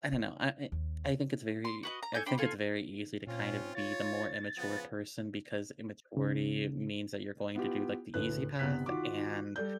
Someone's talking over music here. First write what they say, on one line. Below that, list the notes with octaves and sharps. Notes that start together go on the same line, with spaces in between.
I don't know, I I I think it's very I think it's very easy to kind of be the more immature person because immaturity means that you're going to do, like, the easy path, and
C#4
D#2
C6
F#4 B4 D#5
A#5
A4 G#5 G6
D4 C5 G5 B5
F4 A4 G#5
A#2 C4 C#4 F4
F4 C#5 A6
C#3 F3 B3
C#3
B3 E4 F4 G4
D2 A2 B4 F#6
G1 C2 C3 B3 F#6 B6
D#3 F4 F#4 D6
G3 A4 D5 G6